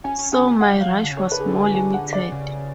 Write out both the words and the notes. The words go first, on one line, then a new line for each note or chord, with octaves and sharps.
So my rush was more limited.
C#4 G#5
C#4
C#4 G#5
B3
G#3 F#5
F#3 F5
F3
D3
C#3
D3 C#5
B4
G#4
A4
G#5
G#5
F#5
D5
C#3